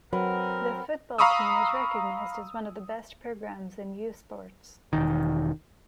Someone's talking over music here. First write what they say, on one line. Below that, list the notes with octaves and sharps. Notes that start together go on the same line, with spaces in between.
The football team is recognized as one of the best programs in U Sports.
F#3 C4 A#4 B4 F#5
F5 A#5 B5 C#6 D#6 E6
E1 A#1 D#3